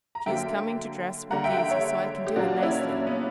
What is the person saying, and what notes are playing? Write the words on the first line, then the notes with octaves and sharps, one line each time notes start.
She is coming to dress with Daisy, so I can do it nicely.'
A#5
D3 F#3 A#3 E5 G5
D3 G3 A#3 F#5 A#5
E5 G5
E5 G5
C#5 E5
G4
A#2 F#3 A#3 D4 F#4
C#4 E4
B3